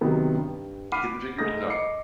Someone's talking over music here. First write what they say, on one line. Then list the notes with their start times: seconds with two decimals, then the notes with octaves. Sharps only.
Hidden figures? No.
0.01 C3 D#3 F#3 B3
0.34 G2
0.92 F#5 B5 D6 F6 C7 D#7
1.39 G#2 A3 D#6 A#6
1.69 D#5 D6 C7 C#7